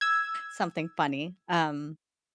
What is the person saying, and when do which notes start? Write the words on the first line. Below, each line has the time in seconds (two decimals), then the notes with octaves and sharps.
something funny, um,
0.01 E6 G#6